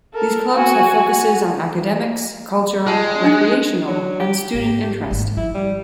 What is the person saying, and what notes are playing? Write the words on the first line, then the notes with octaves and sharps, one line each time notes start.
These clubs have focuses on academics, culture, recreational, and student interest.
A4 A#4
F#4 G#5
G#3 F4 A5
D4 D#4 G#5
F#3
G4
G#1
G#1
F3 E4
G3